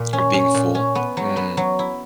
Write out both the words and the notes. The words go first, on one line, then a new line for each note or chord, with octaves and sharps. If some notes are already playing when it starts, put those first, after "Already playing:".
Oh, being full? Mm.
Already playing: A#2 A#3
C#4
C#4
A#2
C#4
B3
F#3
B3
F#3
E4